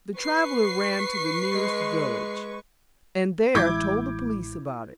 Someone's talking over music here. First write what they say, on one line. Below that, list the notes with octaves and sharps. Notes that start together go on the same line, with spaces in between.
The traveler ran to the nearest village, and there told the police about it.
B4 C#6 C7
G#3
A1 E3 G#3 E4 D6 G6 G#6